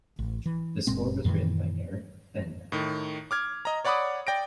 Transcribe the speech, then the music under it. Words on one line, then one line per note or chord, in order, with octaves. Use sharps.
The score was written by Eric Fenby.
A1
E3
F#1 A#2 G#3 C4
F#2 A#2 D#3 E3
A2 D#3
D6 F6 G#6
D#5 A#5
C#5 D5 F#5 B5 D6 D#6
D5 G5 A#6 D7